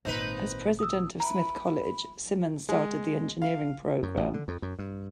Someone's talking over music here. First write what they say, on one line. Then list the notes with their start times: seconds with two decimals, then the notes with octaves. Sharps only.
As president of Smith College, Simmons started the engineering program.
0.05 G#1 A#2 C4 D#4 B4
0.79 D#6 E6
1.20 E4 B4 A#5
2.69 G#3
3.42 F5
4.03 F#2
4.17 A1
4.34 D3
4.48 F2
4.62 F#2
4.79 G2